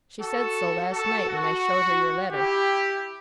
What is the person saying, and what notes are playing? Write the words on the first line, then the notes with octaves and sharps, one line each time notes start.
She said so, last night, when I showed her your letter.
F#4 A4
F#4 A4
F#4
E4 G4